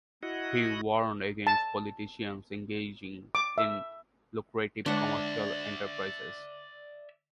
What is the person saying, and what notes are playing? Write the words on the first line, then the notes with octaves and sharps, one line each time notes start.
He warned against politicians engaging in lucrative commercial enterprises.
E4 F#4 D#5 F#5
A5
D6
E5
D3 G#3 D4 C#5 D5 E5 F#5